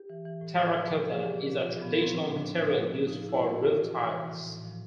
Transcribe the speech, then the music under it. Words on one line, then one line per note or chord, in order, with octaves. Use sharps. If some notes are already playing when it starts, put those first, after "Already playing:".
Terracotta is a traditional material used for roof tiles.
Already playing: G4
E3
E3
A2
F3
F3
C3
F3
G#4
A#2 G4
A#2
F3
F4
A#2
F3 B3
F3 B3
C4
A2
D4
F3
A2
F3
F3
A2
F3 D#4
F3
E4
A#2
F#4
A#2
E3
C3
E3
E3
A2
A2
F3